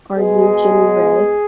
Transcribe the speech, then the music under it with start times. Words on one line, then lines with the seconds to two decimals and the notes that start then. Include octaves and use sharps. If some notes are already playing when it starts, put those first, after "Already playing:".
Are You Jimmy Ray?
0.14 B2 G#3 B3 G#4